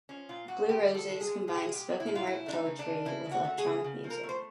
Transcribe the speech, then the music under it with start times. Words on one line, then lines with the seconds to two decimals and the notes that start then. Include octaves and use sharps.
Blue Roses combines spoken word poetry with electronic music.
0.09 F3 C#4
0.29 A#2 F4
0.48 A#2 F#4
0.69 G#3 G4
0.88 F3
0.95 A4
1.08 G#3
1.21 G#4
1.28 G#3
1.47 A#2 G#4
1.55 G4
1.63 G#3 G#4
1.74 G4
1.87 A#2
2.00 E4
2.07 A#2
2.15 F4
2.27 A3 E4
2.46 A3 D4
2.53 D#4
2.66 C#3
2.79 D4
2.85 C#3
3.05 C#3 E4
3.26 C#3
3.31 F#4
3.45 A3
3.58 G#4
3.65 C#3
3.84 C#3
4.04 F3
4.10 A#4
4.23 A3
4.29 C5